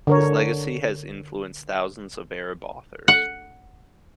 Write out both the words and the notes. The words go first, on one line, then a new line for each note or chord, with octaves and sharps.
His legacy has influenced thousands of Arab authors.
D3 A#4 C#5
F#5